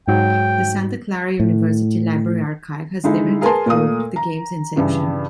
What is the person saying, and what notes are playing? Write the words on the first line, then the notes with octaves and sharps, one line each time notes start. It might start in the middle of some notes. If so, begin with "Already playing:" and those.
The Santa Clara University Library Archive has definitive proof of the games inception.
G#2 F#3 G5
A2
D3 G#3 D#4 E4
G#4 A#4 B4 G#5 A5 C6
A#2 A3 A#4 F5 D#6
A#5
G2 C#3 E3